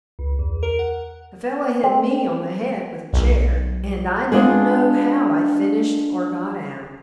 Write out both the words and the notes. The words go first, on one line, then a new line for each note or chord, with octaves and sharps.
A fellow hit me on the head with a chair and I didn't know how I finished or got out.
C#2
E2
A#4
F#5
C4
B1
G#3 B3 D4 F4 G#4